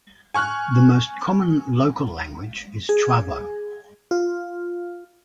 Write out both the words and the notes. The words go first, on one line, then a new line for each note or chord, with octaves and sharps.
The most common local language is Chuabo.
G#5 C#6 F6 F#6
G#4
F4